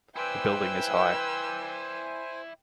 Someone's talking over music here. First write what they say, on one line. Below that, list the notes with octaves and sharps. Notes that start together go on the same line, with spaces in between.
The building is high.
E4 B4 C5 D5 G5 G#5 E6